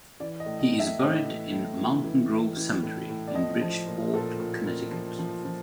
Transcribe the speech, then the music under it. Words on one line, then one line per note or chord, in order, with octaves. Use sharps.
He is buried in Mountain Grove Cemetery, in Bridgeport, Connecticut.
E3 D5
D#5
A2
D#5
A2
E5
A2 D#5
E3
A2
E3
E3
E3
E3
A2
A2
D5
F3 D#5
F3
A#2
A#2 A4
A#2
A#2
F3
F3
F3